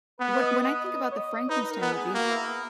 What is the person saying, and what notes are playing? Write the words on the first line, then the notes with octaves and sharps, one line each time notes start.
When when I think about the Frankenstein movie,
B3 B4
E5
D#5
D#5
D#5
C#5
D#5
D#4 B4
A#4
B3
G#4
A#3 F#4
E4
B3